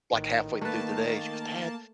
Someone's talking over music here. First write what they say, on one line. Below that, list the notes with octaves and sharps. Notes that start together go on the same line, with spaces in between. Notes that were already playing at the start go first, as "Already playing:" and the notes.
like, halfway through the day, she goes, "Dad,
A1 D#3
A3 A#3 B4 A5